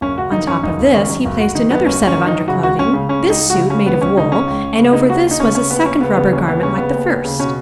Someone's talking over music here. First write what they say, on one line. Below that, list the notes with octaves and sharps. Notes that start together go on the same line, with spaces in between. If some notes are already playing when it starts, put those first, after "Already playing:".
On top of this he placed another set of under-clothing, this suit made of wool, and over this was a second rubber garment like the first.
F#1 C#4
F#1 F#4
D#3 D#4
F#2 C#4
F#1 D#4
F#1
D#3 C#4
F#2
F#1
F#1 F#4
D#3 D#4
F#2 B3
F#1 C#4
F#1
C#4
D#3
D#4
F#2
C#3 F#4
C#2 F#4
C#2 C#4
C#3
C#3 C#4
C#2
D#4
C#2
C#3 F#4
C#3 C#4
C#2 B3
C#2 C#4
C#3 D#4
C#3 C#4
C#2
C#2
C#3
C#3 D#4
D#2 F#4
D#2
D#4
C#3 C#4
C#3 C#4
D#2 B3
D#2 C#4
C#3 B3
C#3 B3
D#2 C#4
D#2 B3
C#3 C#4
C#3 B3
D#2
D#2
C#3
B2 C#4